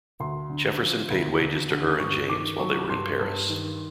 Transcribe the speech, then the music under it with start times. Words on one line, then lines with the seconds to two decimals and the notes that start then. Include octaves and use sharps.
Jefferson paid wages to her and James while they were in Paris.
0.20 D2 C6
0.50 D3
0.80 F3
1.10 D2
1.40 D2
1.70 D3
1.99 G2 C#6
2.29 D#3 D6
2.59 F#3 C#6
2.89 G2 C6
3.20 G2
3.49 D#3